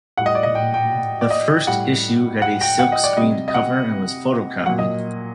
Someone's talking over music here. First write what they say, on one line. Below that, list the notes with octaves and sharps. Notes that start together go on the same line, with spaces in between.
The first issue had a silk-screened cover and was photocopied.
A2 G3 F#5
D#5
D5
D#5
G5
G5
D5
D#5
A2 G3 F#5
F#5
G5
F#5
D#5
D5
C3 G3 D#5
D#5
F#5
A#2 F#3 F#5
D#5